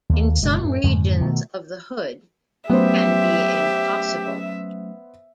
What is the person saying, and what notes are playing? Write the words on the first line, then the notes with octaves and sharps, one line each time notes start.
In some regions of the hood it can be impossible.
D#2 A#3
F#1 B2 G#3
F#2 A2
F2 G#2 D3 D#3
B2 D#3 F#3 A3
F#3 A3 B3 C#4 G4 C5 E5